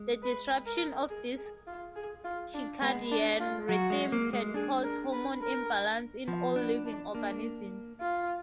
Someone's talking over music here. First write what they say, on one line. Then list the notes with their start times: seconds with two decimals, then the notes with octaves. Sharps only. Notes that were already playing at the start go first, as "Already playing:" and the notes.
The disruption of this circadian rhythm can cause hormone imbalance in all living organisms.
Already playing: G#3
0.23 B4
0.66 A#4
1.10 G#4
1.38 G#4
1.67 F4
1.96 G#4
2.24 F4
2.54 D4
2.82 G#3 B3
3.11 D4
3.40 F4
3.69 F#3 F#4
3.90 G#3
4.12 A#3
4.33 G#3
4.54 D4 G#4
4.83 A#4
5.12 B4
5.41 A#4
6.27 F3 B3
6.56 B3 D4
6.86 D4
7.15 A#3 D4
8.01 F4